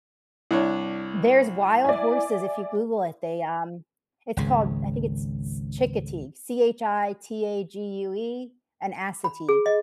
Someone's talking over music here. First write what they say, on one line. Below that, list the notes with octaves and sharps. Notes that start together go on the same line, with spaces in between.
There's wild horses, if you google it, they, um it's called I think it's S Chincoteague, C-H-I-T-A-G-U-E, and Assateague,
C2 D4 E4 C#5
D5 E5 G#5
G#1 C#2 C#3
B5
G#4
D#5